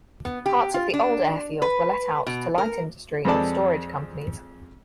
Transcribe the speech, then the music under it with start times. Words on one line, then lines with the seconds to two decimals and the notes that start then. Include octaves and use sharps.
Parts of the old airfield were let out to light industry and storage companies.
0.25 B3
0.46 G4
0.74 F4
0.94 D4
1.62 B4
2.27 B2
2.58 A#4
3.25 F2 G#3 C4 A4 D5 A5